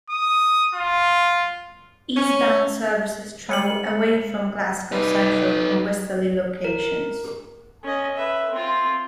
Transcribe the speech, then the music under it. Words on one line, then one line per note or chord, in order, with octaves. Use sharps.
Eastbound services travel "away from" Glasgow Central from westerly locations.
D#6
F4
C#4
G#3 C#7 F#7
D#4 B4
A#4
C#4 D#5
B4 E5
C4 F4